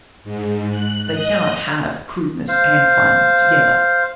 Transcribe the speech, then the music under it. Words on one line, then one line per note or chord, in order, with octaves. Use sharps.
They cannot have crudeness and fineness together.
G#2
F#6
D#5
C5 F5